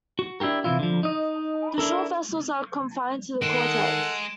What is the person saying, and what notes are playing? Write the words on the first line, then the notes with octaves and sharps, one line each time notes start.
The short vessels are confined to the cortex.
F#4
D4 E4 F4 G4 A#4
C3 D#3 E3 E4 F4
D3 F3
D#4 D#5
D4 E4 A4 A#4
D#3 G#3 A4 F#5 D7 E7